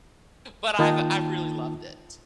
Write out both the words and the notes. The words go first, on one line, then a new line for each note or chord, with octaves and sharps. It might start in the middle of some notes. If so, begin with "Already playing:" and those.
but I've I've really loved it.
D#3 A#3 D#4 F4 G5 A5